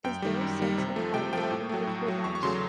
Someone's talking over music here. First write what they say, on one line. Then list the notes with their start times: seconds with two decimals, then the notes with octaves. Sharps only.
Is there a sense of heartwarming with your boss?
0.04 F#2 G5
0.22 D#3 G3
0.41 F#2
0.60 D#3 G3
0.78 C3
0.96 F3 A3
1.14 C3 G5
1.33 F3 A3 G5
1.51 A2
1.69 F#3 A3
1.87 A2
2.07 F#3 A3
2.24 E2 C#6
2.35 C#6
2.43 C#3 F#3 A3 C6